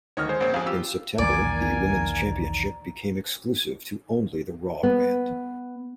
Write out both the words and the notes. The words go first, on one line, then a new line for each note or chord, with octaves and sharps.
In September, the Women's Championship became exclusive to only the Raw brand.
D2 D#3 C#5 D#5 F6
G#3 C5
A#1 C4 C#5
F2 C4 G#4 F5
F4 G4 E6
B1 E2 D#3 A#3 D5 G#5 A#5
B3